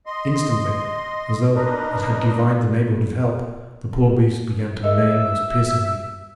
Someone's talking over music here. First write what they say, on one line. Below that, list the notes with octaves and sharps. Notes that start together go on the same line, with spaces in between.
Instantly, as though it had divined the neighbourhood of help, the poor beast began to neigh most piercingly.
D#5 C6
D4 D#4 A#4 B4 D#5
G#4 A#4 D#5 E5